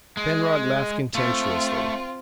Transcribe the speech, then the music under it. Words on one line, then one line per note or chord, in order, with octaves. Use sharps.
Penrod laughed contemptuously.
G#3
A3 C4 F4